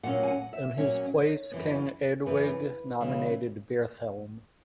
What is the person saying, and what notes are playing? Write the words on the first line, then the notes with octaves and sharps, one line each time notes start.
In his place King Eadwig nominated Byrhthelm.
A#2 F#3 C#4 F#5
G#5
F#5
E5
A#2 F#3 C#4 C#5
F#2 E3 B3
F#2 E3 B3 B4
C#3 E3 G#3 C#4